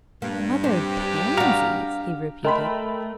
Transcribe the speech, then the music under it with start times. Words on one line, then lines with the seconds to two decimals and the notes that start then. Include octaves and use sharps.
"The Mother of Pansies!" he repeated.
0.22 G2 A#3
0.64 C4 G4
1.37 D4 F#4 F5 A#5
2.45 A3 A#4 D#5 G5 B5 C6